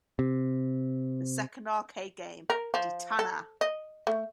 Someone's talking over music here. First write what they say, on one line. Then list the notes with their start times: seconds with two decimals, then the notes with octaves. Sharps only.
The second arcade game, Detana!!
0.19 C3
2.50 A#4
2.74 F3
3.19 A4
3.61 D#5
4.07 A3